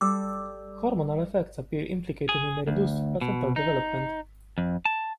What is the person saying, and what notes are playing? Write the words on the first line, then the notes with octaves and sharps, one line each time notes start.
Hormonal effects appear implicated in the reduced placental development.
G3 A4 D6 E6
G#4
D2
B2
D#4
F2
A5